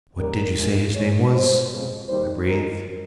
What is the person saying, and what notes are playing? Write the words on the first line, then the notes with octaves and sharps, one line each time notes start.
"What did you say his name was?" I breathed.
D#2 C#3 G3 A#4
G2 F3 G#3
A#2 G#3 C#5
A#2 G3 C5
F2 C#3 G#3
D#2 D#3 G3 C5
D#2 C#3 F3 G#3 A#4